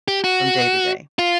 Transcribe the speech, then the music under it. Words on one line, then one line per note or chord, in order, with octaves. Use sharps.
from day to day.
G4
F#4
F4